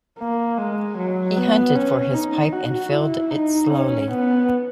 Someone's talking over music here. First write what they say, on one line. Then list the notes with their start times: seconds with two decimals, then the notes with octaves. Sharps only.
He hunted for his pipe and filled it slowly.
0.19 A#3
0.58 G#3
0.97 F#3
1.37 B3
1.75 C#4
2.14 D#4
2.53 F#4
2.92 E4
3.31 D#4
3.70 C#4
4.08 B3